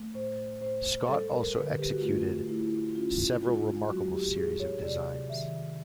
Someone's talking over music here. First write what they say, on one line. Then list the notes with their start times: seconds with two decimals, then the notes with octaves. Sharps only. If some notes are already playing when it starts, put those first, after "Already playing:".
Scott also executed several remarkable series of designs.
Already playing: A3
0.14 A2 C5
0.61 A2 C5
1.08 G3 A4
1.32 A#4
1.54 D3 B4
1.78 G4
1.90 F#4
2.02 A3 F4
2.49 A3 E4
2.95 C#4 F4
3.42 G#3 F4
3.89 F#3 F#4
4.12 G4
4.36 A2 G#4
4.60 C#5
4.83 C3 D5
5.29 D#3 E5